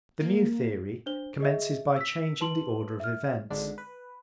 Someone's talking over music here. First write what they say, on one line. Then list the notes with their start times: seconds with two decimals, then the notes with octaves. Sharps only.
The new theory commences by changing the order of events.
0.20 A#3
1.06 D4 C5 G7
1.40 G#4 D#5 E5
1.96 E6 B6
2.41 B4 A5 C6 F#7
3.00 E5 F6
3.50 G#1 G#2 D3 D4
3.78 B4